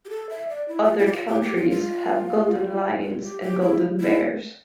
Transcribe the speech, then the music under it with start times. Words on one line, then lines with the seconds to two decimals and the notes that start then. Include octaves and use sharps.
Other countries have golden lions and golden bears.
0.05 G4
0.10 A4
0.30 E5
0.49 D5
0.68 E4
0.83 F4
0.98 E4
1.06 G4
1.13 F4
1.27 G4
1.42 G4
1.56 F4
1.70 F4
3.03 F4
3.23 G4
3.41 G4
3.61 E4
4.00 E4